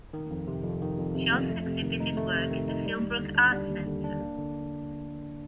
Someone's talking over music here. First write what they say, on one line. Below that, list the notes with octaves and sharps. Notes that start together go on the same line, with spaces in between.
She also exhibited work at the Philbrook Art Center.
D#3
F2
C3
F2
D#3
F2
C3
F2
A3
C3
D#3
D#4
A3
C3
D#3
D#4
G3
D#2
D3
D4
G3
D#2
D3
D4
A#3
D3